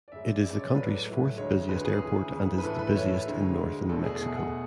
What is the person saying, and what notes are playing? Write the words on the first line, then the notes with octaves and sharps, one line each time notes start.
It is the country's fourth busiest airport and is the busiest in northern Mexico.
D5
F#2 C#3 G#3 E5
D5
F#2 C#3 G#3 D5
D5
C#5
A2 F#3 A3 B4
A2 F#3 A3
D2 D3 G#3 C#5
D2 D3 G#3 B4
G#4
D2 C#3 E3
D2 C#3 E3
B4
A2 E3 A3 A4
B4
A2 E3 A3 C#5
D2 D3 G#3
D2 D3 G#3
E2 B2 A3 A4
G#4
E2 B2 A3 A4
F#5